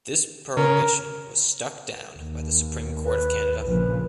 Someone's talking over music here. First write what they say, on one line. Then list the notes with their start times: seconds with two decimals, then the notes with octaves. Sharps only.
This prohibition was stuck down by the Supreme Court of Canada.
0.57 C#3 A#4
2.15 D#2
3.04 B4
3.68 A#1 C#3 F3 B4